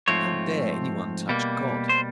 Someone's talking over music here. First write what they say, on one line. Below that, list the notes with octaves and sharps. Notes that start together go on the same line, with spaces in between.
How dare any one touch God?
G#2 F3 A3 C4 C#5
B2 G3 A#3
C5